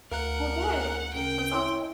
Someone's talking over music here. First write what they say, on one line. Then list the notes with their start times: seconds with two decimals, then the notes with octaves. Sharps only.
Oh, good, that's awesome.
0.12 D2 A#4 F5 F#5 A#5 F#6
1.13 C#3 A#4 G5
1.53 E4 C#5 C6